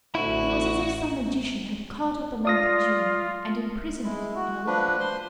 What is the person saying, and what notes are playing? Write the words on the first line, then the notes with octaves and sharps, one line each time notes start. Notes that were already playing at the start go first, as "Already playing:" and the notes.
It was as if some magician had caught up the month of June and imprisoned it in a labyrinth.
A1 D2 E4 F#4
F4 D5 D#6 A#6
G#3 E4
F#4
F3 D4 B4
C5 C6